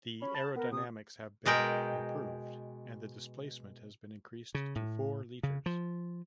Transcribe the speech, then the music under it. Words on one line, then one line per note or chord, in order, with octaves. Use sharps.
The aerodynamics have been improved and the displacement has been increased to four liters.
C#4 B5
A5
B3 A#4
C3 D#6
B2 G#3 A#4 G5
C#3
A2
C#3
F3